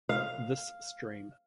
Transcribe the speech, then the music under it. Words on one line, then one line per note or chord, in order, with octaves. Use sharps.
This stream.
F5